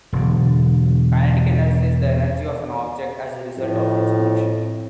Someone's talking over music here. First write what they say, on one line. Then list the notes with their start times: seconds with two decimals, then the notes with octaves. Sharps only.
Kinetic energy is the energy of an object as a result of its motion.
0.13 E1 D3
3.58 F2 A2